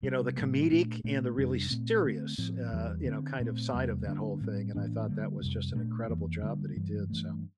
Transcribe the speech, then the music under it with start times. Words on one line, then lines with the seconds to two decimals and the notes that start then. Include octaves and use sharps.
you know, the comedic and the really serious, uh, you know, kind of side of that whole thing, and I thought that was just an incredible job that he did, so.
0.03 C3 G3 C4
0.37 A2 G3 A#3
0.71 A#2 A3 D4
1.04 A#2 A3 D4
1.37 F2 C3 G3 D4
1.71 A#2 A3 C4
2.05 D3 A3 C4
2.38 A2 F3 C4
2.72 E2 E3 G3
3.05 D3 A3 C4
3.39 A#2 A3 C4
3.73 E2 C3 G3 A#3
4.06 D3 G3 A#3 D4
4.41 A2 G3 C4
4.75 A2 E3 A#3 D4
5.08 D3 G3 A#3
5.42 F2 C3 G3
5.75 A#2 A3 D4
6.09 F2 E3 A#3
6.42 D3 G3 A#3 D4
6.76 G2 E3 G3
7.10 G2 E3 A3